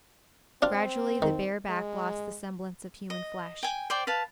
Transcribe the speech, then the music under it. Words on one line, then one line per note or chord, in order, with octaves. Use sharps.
Gradually the bare back lost the semblance of human flesh.
C4 D4 F4
D#3
G#3
D#5
G5 G#5
C5 D5 G5 D6
B4 F5 A5